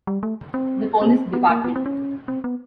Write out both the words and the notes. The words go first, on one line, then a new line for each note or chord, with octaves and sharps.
The police dept.
G3
A3
C4
C4
B3
A#3
B3
C4
C#4
C4
B3